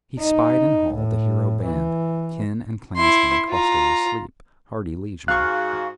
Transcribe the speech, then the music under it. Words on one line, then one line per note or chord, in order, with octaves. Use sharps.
He spied in hall the hero-band, kin and clansmen clustered asleep, hardy liegemen.
D#4
A2
E3
E4 C6
F4 A#5
G#2 F#4 F5 C#6 F#6